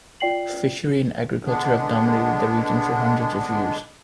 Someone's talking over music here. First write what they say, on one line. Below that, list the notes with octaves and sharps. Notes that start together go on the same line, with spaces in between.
Fishery and agriculture have dominated the region for hundreds of years.
F4 D5 G5 C7 F#7
D3 G#3 B3 D4